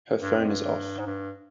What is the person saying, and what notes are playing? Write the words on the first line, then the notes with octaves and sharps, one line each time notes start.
Her phone is off.
G2
F2
G2
G#2
G2